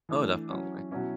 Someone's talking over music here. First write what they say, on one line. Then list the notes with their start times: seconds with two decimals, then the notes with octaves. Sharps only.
Oh, definitely.
0.09 E3 A3 D4
0.50 F#3 C#4 E4
0.91 B2 F#3 C#4 E4